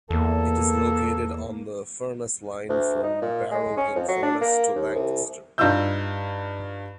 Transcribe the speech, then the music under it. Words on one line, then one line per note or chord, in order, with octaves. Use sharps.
It is located on the Furness Line from Barrow-in-Furness to Lancaster.
E2 A#3 A4
D2
D#4
A#2
G#3
C#4
F2
F#3
D4
A#3
D#2
C2
G2 D#4 F4 E6 G6